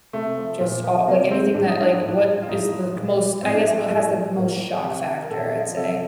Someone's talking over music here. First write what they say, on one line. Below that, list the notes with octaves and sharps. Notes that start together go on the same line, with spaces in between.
just all like, anything that, like, what is the most I guess m has the most shock factor, I'd say.
C3 A3
F3
A#2
F3
C3 A#3
D#3 C4
A2 D4
D#4
F3 D4
A2
F3
F4
A2 D#4
F3
A#2
F3
A2 C4
D4
F3
A3
A2 A3
F3
A2 A#3
F3
C3 G4
D#3
A#4
A#2 A4
F3
C3 A4